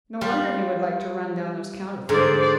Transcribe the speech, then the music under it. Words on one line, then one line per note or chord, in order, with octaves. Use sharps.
No wonder he would like to run down those counterfeiters.
G3 F4
G#2 D3 C5 D5